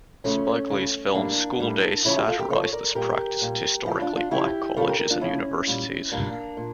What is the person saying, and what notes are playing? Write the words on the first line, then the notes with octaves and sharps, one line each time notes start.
Spike Lee's film "School Daze" satirized this practice at historically black colleges and universities.
C#3 F3 A3 C#4
C#3 F3
A2 G3 A#3 D4
A2 G3
C#3 F3 C#4 E4
E4 G4
F4 A4
G4 A#4
C#3 F3 A4 C#5
C#5
A#4 D5
A#2 G3 G4 A#4
A#2 G3
C#3 F3 E4 G4
D4 F4
D4 F4
C#3 F3 E4 G4
C#3 F3 F4 A4
G4 A#4
G4 A#4
D4 F4
C#3 F3 C#4 E4
A#2 G3
A#2 G3 A#3 D4
A#2